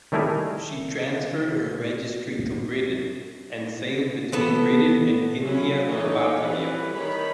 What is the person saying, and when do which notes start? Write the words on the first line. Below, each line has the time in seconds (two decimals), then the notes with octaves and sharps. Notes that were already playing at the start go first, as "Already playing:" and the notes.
She transferred her registry to Britain and sailed between Britain and India or Batavia.
0.12 D#3 G3 A3 E4 G#4 A#4
4.32 E3 B3 A4
5.42 F#3 A3 C#4 E4
5.86 E3 D#4 A4 C#5
6.41 E3 G3 A4 B4
6.93 D#3 C#5 B5